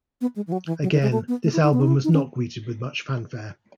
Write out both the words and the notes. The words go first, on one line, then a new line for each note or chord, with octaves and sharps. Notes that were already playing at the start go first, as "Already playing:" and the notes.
Again, this album was not greeted with much fanfare.
B3
G#3
E3
F#3
E3
F#3
D#3
G#3
A3
B3
A3
E4
D#4
B3
D#4
E4
D#4
C#4